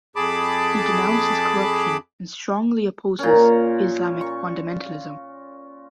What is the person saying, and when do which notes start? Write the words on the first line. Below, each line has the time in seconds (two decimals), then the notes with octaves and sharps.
He denounces corruption and strongly opposes Islamic fundamentalism.
0.16 F2 G#4 A5 B5 D6
3.19 A#2 C#4
4.21 C#6